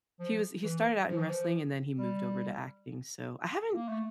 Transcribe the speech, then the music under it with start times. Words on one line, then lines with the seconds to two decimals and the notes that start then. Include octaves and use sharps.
he was he started out in wrestling, and then he moved over to acting, so I haven't
0.20 F3
0.63 E3
1.08 F3
1.18 E3
1.28 F3
1.97 G3
3.75 A#3
3.88 A3